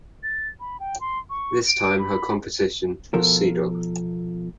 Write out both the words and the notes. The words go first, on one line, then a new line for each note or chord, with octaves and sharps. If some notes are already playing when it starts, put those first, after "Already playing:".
This time her competition was "Sea Dog".
A6
B5
G5
C6
C#6
D7
B5
B2 F3 A4 A#4